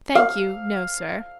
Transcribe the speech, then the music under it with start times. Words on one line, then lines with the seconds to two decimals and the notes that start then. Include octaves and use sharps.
"Thank you, no, sir."
0.15 F5